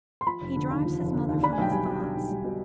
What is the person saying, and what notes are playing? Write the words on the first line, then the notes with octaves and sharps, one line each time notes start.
He drives his mother from his thoughts.
C6
F3 B5
F1
D3
D#2
F3
F1
D3
D#2
D4 B5
G#5
B1 G5
G3 G#5
B2
D4
B1
G3
B2